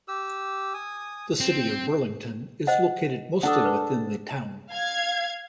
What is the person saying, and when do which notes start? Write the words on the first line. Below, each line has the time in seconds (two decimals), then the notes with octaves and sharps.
The City of Burlington is located mostly within the town.
0.08 G4 E6
0.74 G#5 D#6
1.40 C4 G5
2.67 C5 D#5 F#5
3.43 D4 A4 F#5 D#6
3.64 A#4 B4 C#6
4.71 F5 G#6